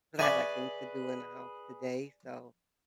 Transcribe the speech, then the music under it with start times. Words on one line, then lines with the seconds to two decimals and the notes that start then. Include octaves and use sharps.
cause I have, like, things to do in the house today, so
0.19 G#4 B4 D5 E5 G#5 C#6 D6